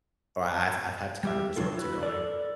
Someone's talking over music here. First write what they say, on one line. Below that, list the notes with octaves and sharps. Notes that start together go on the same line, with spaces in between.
or I've I've had to kind of resort to going,
G3 G4 E5
C#3 F#3 A#3 D4 F4 A4
E4 F#4 B4
A4 A#4 D5